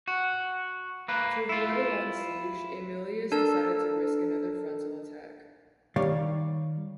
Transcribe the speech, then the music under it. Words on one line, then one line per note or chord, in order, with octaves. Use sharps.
To avoid a long siege, Aemilius decided to risk another frontal attack.
F#4
A#3 B4
E4 F4
D4 A4 A#4 A5
D#3 G3 C#5 D5 F5